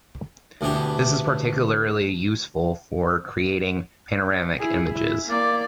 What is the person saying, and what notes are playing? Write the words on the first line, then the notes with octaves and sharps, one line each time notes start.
This is particularly useful for creating panoramic images.
D2 B2 E3 D4 G4
E4 G#4
E4
A#3 D5